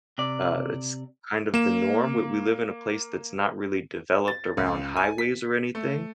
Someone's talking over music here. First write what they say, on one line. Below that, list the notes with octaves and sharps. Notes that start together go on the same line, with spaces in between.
uh, it's kind of the norm, we we live in a place that's not really developed around highways or anything,
C3 D5
A#3 E7
A6
C#2
G#5
B6
A3